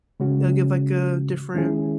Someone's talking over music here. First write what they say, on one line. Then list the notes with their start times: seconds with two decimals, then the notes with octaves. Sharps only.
it'll give, like, a different,
0.20 C#3 G#3 C#4 F#4
1.54 D#3 G#3 C#4 E4 G#4